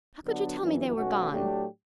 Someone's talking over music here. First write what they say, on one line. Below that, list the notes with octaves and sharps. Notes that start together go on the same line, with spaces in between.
How could you tell me they were gone?
D3 F#3 B3 D4 F#4
G1 F#2 E3
B1 B2 A3 C#4 F#4
A2 F#3 A3 D4 G4